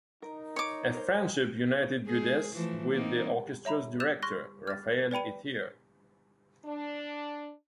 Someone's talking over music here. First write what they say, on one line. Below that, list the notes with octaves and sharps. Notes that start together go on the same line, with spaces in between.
A friendship united Guedes with the orchestra's director, Rafael Ithier.
D#4 A#4
C#5 D6
A#4 C5
G#3 G#4
E3 F3 A3
A#3 C4 D#4
C#5 E5 A#5 B5
E6 F#6 G6 A6 E7 F7
C6 C#6 F6 F#6 A#6
F6 A6
B4 D5 G5 B5 D#7
D4